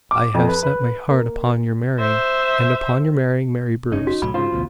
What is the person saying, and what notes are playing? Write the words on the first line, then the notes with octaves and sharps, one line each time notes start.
I have set my heart upon your marrying, and upon your marrying Mary Bruce.
D6
F2
B4
B4
A#3
C5 E5
F#1 C#4 D#4
F#4
C2 A2 F#3 B5
G#2 C#3 F4 C5
A1 D2 B2